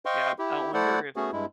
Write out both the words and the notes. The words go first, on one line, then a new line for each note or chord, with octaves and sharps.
Yeah. I wonder if
C5 D#5 F5 G5 C6 C#6
E4 G4
A3 E4 A4 C5 D5 F#5
A3 B3 C#4 F#4 G#4
G2 G#3 E4